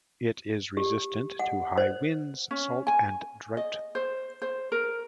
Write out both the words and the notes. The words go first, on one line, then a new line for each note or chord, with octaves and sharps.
It is resistant to high winds, salt and drought.
G4
F#5
C5
C#4
G#5
D#5
C5
C5
A#4